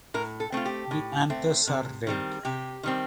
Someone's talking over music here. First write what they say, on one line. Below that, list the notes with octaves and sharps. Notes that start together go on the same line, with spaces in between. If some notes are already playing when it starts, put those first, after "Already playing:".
The anthers are red.
A2 A#4
A4
A3 C4 F4
G4
A2
A3 C4
C3
D#3 G3 C4
C3 G4
D#3 G3 C4